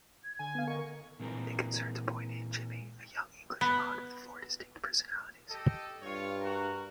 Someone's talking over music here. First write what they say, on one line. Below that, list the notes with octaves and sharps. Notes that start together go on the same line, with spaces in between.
It concerns a boy named Jimmy, a young English Mod with four distinct personalities.
G#6
D3 G#5
B3 F5
A#4 D#5 C#6
A#2 E3 G#3 C4 A#4
B3
G4 A4 D#5
G2 F4 C#5
F#4 A#4